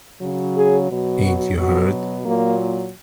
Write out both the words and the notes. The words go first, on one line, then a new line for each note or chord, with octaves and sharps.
Ain't you heard?
C#3 F#3
G#4
B2 F#3
F#4
B2 F#3 F#4
A#2 F#3 A#3